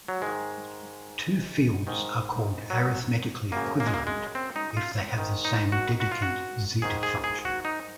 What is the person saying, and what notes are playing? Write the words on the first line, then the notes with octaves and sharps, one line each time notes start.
Two fields are called arithmetically equivalent if they have the same Dedekind zeta function.
F#3
G#2 D#3 G#3
G#2 D#3
F#3
F#2 C#3 A#3
A#3
G#3
A#3
G#3
C4
D#4
F4
G#2 D#3
D#4
F#4
F#4
F4
F#4
G#2 D#3 G#4
G#4
G#4
F#4
D#4